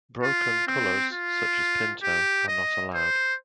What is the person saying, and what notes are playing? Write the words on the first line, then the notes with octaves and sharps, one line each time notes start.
"Broken" colours such as pinto are not allowed.
F4
C4
F4
G4
D#5
C5